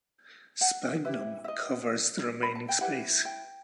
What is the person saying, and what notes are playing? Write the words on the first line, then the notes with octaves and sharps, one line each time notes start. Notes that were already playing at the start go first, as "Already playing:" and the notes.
Sphagnum covers the remaining space.
F#5
E4 G4 B4 E5
E5
D#5
B5
A5
G5
E4 G4 B4 F#5
G5